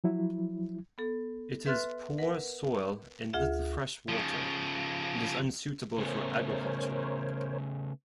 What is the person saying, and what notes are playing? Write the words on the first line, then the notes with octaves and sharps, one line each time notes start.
It has poor soil and little fresh water, and is unsuitable for agriculture.
F3 F#3 E4
B3 A4
B4 E5 C6 F6 F#6 A6
A#4 B4 F#5
D2 F4 G#4 E5
C#3 F3
C#3 A3 B3 A#4 C5 C#5